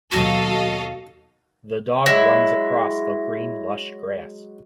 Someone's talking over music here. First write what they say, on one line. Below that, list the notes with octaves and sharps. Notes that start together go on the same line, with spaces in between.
The dog runs across the green lush grass.
D#2 B2 F#3 F#4 A4 D#5 F5
F#3 G#3 E4 A#6